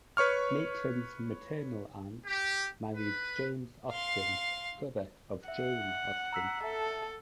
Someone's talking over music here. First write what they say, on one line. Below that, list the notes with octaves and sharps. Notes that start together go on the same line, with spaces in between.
Maitland's maternal aunt married James Austin, brother of Jane Austen.
B4 C#5 C#6 F6
G4
B4
F5 C6
E5 F#5
A#5 E6 B6
A4 E5